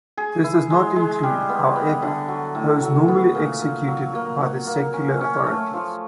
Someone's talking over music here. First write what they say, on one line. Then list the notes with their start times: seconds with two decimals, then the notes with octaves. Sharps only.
This does not include, however, those normally executed by the secular authorities.
0.17 G#4
0.44 E4
0.70 G#3
0.96 G#3
1.23 G3
1.49 B3
1.76 B3
2.02 D3
2.28 F#3
2.55 A2
2.82 F#3
3.08 B3
3.35 A#2
3.62 A#2
3.88 F#3
4.15 A#3
4.41 F#4
4.67 A#3
4.93 C#4
5.21 C#4
5.47 A3
5.73 F3